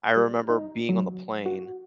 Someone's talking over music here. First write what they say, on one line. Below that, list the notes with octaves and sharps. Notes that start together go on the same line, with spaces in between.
I remember being on the plane,
G3
F6
D#4
F#3
F#4